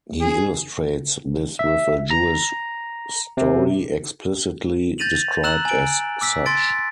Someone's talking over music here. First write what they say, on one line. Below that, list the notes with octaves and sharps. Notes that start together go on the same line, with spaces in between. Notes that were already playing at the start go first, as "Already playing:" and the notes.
He illustrates this with a Jewish story, explicitly described as such.
G#4
E5
A#5
C3
G6 A6 A#6 D#7 F7 F#7
A#5 E6 F#6 E7 F#7
G#5 D7
D6 E6 B6
C6 A6 D7